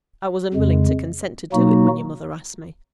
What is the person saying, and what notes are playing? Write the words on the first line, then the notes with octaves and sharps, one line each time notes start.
I was unwilling to consent to do it, when your mother asked me.
F2 C#3 G#3
B2 F#3 A#3 D#4 F#4